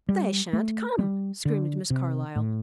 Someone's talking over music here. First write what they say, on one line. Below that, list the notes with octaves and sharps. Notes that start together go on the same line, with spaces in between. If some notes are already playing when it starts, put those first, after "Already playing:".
"They shan't come!" screamed Miss Carlyle.
G3
A3
G3
D3
C3
A2